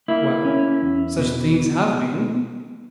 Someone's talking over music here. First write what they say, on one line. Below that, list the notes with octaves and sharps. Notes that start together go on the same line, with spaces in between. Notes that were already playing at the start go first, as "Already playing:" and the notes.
"Well, such things have been."
A#3 E4
C#4
E2
B2